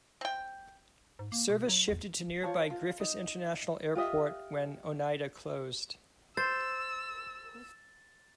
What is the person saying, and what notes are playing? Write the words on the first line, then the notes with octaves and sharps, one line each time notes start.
Service shifted to nearby Griffiss International Airport when Oneida closed.
C4 G5
G#2
A#3
B2
F#3
E2
F4 C5 C#5 A5
F4
D#4
F4 G4 D#5 E5
C5 E6 A6